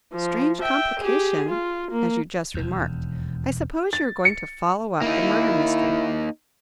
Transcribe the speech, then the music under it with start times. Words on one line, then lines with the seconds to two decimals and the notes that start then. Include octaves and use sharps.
Strange complication, as you just remarked. I suppose you are going to follow up the murder mystery.
0.13 F3
0.62 E5 G5
1.00 G4 G#4
1.49 F4
1.91 A#3
2.54 E1 D#2
3.93 A6
4.25 C#7
5.02 A#3 D#4 E4